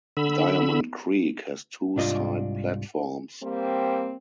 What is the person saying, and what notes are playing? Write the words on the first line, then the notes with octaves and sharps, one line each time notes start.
Diamond Creek has two side platforms.
D3 B5 E6
C2 G#2 D4 F4 D#5
G3 A#3 C4